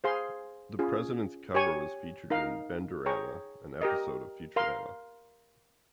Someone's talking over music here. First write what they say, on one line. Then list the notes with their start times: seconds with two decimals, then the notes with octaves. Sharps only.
The Presidents' cover was featured in "Benderama," an episode of "Futurama".
0.04 G#4 C5 F5 C6
0.79 C#4 F4 G#4
1.55 G4 C#5 G#5 C#6
2.30 D#4 A#4 F5
3.06 G#4 C#5 G5 A#5 C#6
3.81 G4 A#4 D#5
4.56 A#4 F5 C6